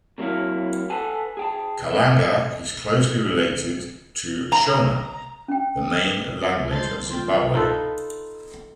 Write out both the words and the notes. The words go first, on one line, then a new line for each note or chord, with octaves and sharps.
Kalanga is closely related to Shona, the main language of Zimbabwe.
C3 F#3 A#3 E4 C#5 F5
A4 B4 F#5 G#5 A5
G#4 G5 A5
E5
A#5
C#4 G5
C2 C5 D#5 A5 C6 G6 A6
F4 G5
D#4 F4 A4 B4